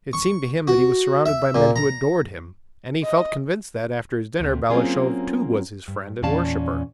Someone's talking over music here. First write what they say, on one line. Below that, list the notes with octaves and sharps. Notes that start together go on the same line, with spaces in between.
It seemed to him that he was surrounded by men who adored him: and he felt convinced that, after his dinner, Balashev too was his friend and worshiper.
C#6
F#4
E5
A#2
A#5
D#5
D2 C3
F#3 A#3 C4 C#4 F4 G#4
G2
E2 A#2 C#4 D5 F5 A5